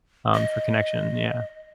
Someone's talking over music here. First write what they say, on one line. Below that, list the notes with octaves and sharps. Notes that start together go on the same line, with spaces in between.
um, for connection, yeah.
D#5